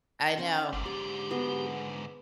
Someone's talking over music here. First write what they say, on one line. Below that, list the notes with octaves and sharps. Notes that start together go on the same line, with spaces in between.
I know.
C#4 C5 F#5
G1 G#2 D3
G4 D5
G#3 B3 F#4